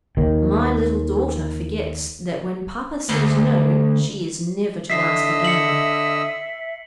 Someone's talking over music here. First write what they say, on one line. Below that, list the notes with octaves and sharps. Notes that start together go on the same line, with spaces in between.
"My little daughter forgets that when papa says no, she is never to ask again."
D#2 D#3
D2
D3 D#5 E5 E6 B6 C7
C#7 F#7